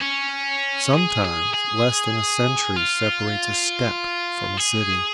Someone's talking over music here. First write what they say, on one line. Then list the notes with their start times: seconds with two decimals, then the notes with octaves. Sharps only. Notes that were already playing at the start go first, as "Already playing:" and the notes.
Sometimes less than a century separates a steppe from a city.
0.02 C#4
0.94 G#4
1.25 G#4
1.54 G#4
2.76 F4
4.58 G#4